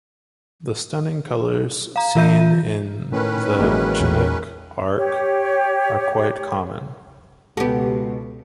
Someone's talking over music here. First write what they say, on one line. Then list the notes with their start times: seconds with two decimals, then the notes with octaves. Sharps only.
The stunning colours seen in the Chinook arch are quite common.
1.96 F5 A#5
2.15 E3 F4 E5 G6 D#7
3.12 A2 D#3 C#4 B4
3.59 A1 F#3 G#3 A#3 E4
4.00 E2 A#2 G#4
4.96 G4 C#5
7.57 C#2 B2 B3 F#4 G4 A4